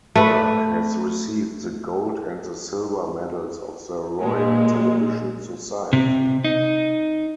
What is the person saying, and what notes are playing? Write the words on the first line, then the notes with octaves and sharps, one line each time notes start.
Burke has received the gold and the silver medals of the Royal Television Society.
A3 B4
A#2 G#3
C3
D#4